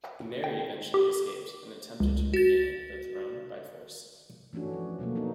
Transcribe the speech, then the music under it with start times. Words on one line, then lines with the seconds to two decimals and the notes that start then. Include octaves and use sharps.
Mary eventually escaped and attempted to regain the throne by force.
0.44 G5
0.94 G4
2.00 C#2
2.34 F#4 A6
4.53 E3 A3 C#4 D4 F#4
4.73 F3
4.99 B2 F#3 A3 A#3
5.15 A#3 B3 D4 D#4